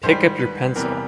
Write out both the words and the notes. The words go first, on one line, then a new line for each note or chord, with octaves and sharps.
Pick up your pencil.
G#2 D#3 G3 C5
B4
E2 C3 E3 G3 A#4